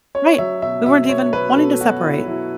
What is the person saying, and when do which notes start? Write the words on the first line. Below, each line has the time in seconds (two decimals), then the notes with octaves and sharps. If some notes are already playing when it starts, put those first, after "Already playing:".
Right. We weren't even wanting to separate.
0.15 C#4 C#5
0.38 F#3 E5
0.62 B2 E5
0.86 B2 E5
1.09 C#4 C#5
1.32 F#3 B4
1.57 B2 A4
1.81 B2 F#4
2.04 C#4 E4
2.28 F#3 E4